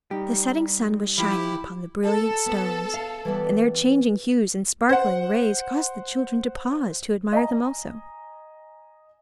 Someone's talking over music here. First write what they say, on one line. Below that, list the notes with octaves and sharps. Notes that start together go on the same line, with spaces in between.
The setting sun was shining upon the brilliant stones, and their changing hues and sparkling rays caused the children to pause to admire them also.
G3 D#4 G4
F3 E4 G4 B5
A4
B3
F5
E3 G3 B3
C5 F#5
D#5 G#5 A#5